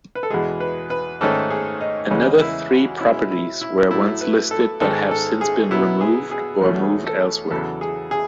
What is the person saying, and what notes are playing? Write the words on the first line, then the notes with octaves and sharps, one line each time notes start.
Another three properties were once listed but have since been removed or moved elsewhere.
B4
A4
E2 B2 G#3 G#4
B4
B4
G#2 D#3 A3 C#4 A4
G#4
D#4
E2 C#3 E3 G#3 C#4 D#4
E4
F#4
B2 G#3 C#4 E4
E4
E4
A2 F#3 A3 E4
B4
A4
G#2 D#3 G#3 A4
A4
G#4
B2 F#3 B3 E4
G#4
G#4
E2 B2 A3 C#4 F#4
G#4
A4
E2 C#3 F#3 A4
G#4
G#4